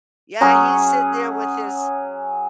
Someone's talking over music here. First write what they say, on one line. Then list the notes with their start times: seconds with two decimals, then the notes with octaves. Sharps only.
yeah, he's sit there with his
0.41 F#3 C#4 G#4 C#6